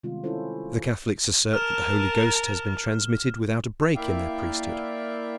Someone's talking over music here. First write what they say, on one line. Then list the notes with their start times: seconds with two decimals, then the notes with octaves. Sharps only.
The Catholics assert that the Holy Ghost has been transmitted without a break in their priesthood.
0.03 C3 D#3 G3 G#3 B3 F4
0.24 C4 C#4 E4 F4 A4 C5
1.54 A#4 A5 F6 E7
3.96 A#3 E4 D5 E5 F5 G5